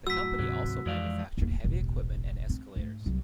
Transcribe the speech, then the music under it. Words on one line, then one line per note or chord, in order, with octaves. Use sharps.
The company also manufactured heavy equipment and escalators.
F#2 A2 F#4 E6 B6
D2 G#2 C3 F#3
F2 E3 F3 G#3 D5 F5
E2 A#3
E1 A1
C4
G#2 A3
C2 F#3